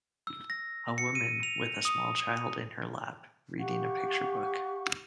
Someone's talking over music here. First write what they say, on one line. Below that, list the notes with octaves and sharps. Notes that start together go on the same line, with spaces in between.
A woman with a small child in her lap reading a picture book.
E6
A#6
C#7
D#7
F7
D#6
G4 F5 F#5 C#6